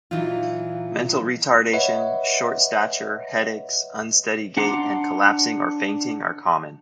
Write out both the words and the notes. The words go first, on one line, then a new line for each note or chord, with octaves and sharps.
Mental retardation, short stature, headaches, unsteady gait, and collapsing or fainting are common.
A#2 E3 F#3 D#4 F4
B4 C#5 D#5 E5 F#5
D4 F#5 A#5 C6 D6